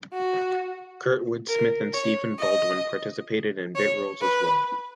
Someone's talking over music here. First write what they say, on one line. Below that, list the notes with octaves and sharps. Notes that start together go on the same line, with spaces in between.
Kurtwood Smith and Stephen Baldwin participated in bit roles as well.
F#4
A#4
C#5
D#5
C#5
B4